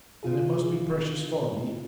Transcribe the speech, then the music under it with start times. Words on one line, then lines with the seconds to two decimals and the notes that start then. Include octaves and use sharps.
Then it must be precious foggy?'
0.23 C3 F4 G#4